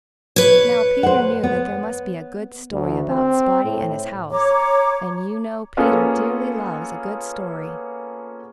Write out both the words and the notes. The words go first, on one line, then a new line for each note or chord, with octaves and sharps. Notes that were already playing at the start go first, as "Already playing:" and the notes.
Now Peter knew that there must be a good story about Spotty and his house, and you know Peter dearly loves a good story.
B4 C#5
C5 F#5
B3
D2
C4
A2
C#5 A#5 D6
A#3 B3 C#4 F4 G#4 A4